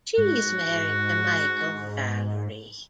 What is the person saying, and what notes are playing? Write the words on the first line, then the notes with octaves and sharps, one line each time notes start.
She is married to Michael Valerie.
G#2 F#4